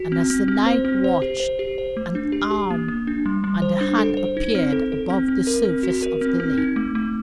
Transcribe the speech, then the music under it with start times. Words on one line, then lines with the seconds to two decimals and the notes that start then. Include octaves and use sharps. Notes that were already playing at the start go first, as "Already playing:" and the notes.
And as the knight watched, an arm and a hand appeared above the surface of the lake.
Already playing: F#4
0.12 C4
0.30 C4
0.48 C4
0.66 C5
0.85 C4
1.04 C5
1.22 G4
1.40 C5
1.59 G4
1.78 C5
1.97 A3
2.15 D4
2.32 G4
2.51 G4
2.70 A#3
2.88 A#3
3.07 D4
3.26 G3
3.44 G3
3.62 C5
3.81 D4
3.98 A4
4.17 C5
4.37 D#4
4.55 C4
4.72 A4
4.92 A4
5.10 C4
5.28 C4
5.47 A#4
5.65 C4
5.83 F#4
6.02 A#4
6.21 C4
6.40 C4
6.58 D#4
6.76 A3
6.95 A3